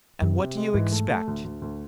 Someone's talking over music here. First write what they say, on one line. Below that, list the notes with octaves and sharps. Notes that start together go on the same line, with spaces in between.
"And what do you expect?"
F#2 C3
C3
G#3
G#2 E3
A3
A3
D2
D2
D2